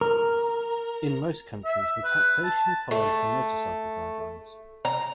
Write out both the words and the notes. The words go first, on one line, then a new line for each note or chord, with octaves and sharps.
In most countries the taxation follows the motorcycle guidelines.
A#4
E5
B4
A5
A3
A#5